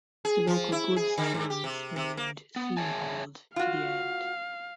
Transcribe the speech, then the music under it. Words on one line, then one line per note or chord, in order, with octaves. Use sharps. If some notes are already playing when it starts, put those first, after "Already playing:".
The local goods trains remained steam hauled to the end.
G#4
F3
E4
G#4
D3
G#2
G4
C3
C3
A#3
B3
G#4 C#5 E5 G#5 A5
F4 F#4 F5